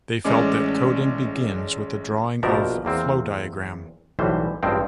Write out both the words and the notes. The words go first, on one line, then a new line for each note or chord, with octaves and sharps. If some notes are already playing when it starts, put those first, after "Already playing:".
They felt that coding begins with the drawing of flow diagram.
A1 G#3 A3 C#4 D5 D6
A#1 B2 F3 A#4 D5 E5
E2 A#3 C4
B1 A2 E3 G3 C5
A1 G2 F3 G#3 C4 G5